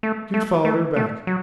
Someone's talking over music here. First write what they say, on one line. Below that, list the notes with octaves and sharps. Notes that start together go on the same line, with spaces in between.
Jude followed her back.
A3
A3
A3
A3
F#3